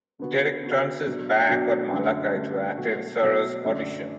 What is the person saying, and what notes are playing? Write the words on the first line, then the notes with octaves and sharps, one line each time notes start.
Derek turns his back on Malakai to attend Sara's audition.
D3 B3 F#4
D3 B3 F#4
B2 F#3 D4
B2 F#3 D4
F#2 D3 A3
F#2 D3 A3
B2 F#3 A3 F#4
B2 F#3 A3 F#4
F#2 D3 A3 D4